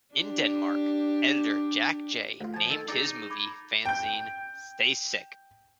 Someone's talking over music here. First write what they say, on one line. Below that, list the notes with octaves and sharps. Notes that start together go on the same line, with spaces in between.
In Denmark, editor Jack J named his movie fanzine Stay Sick!
D4 G4
D2 F4
F3 G#5 A5
D#3 A4
D4 D#4 G#4 D6 A6
B5 D6 G#6
G5 G6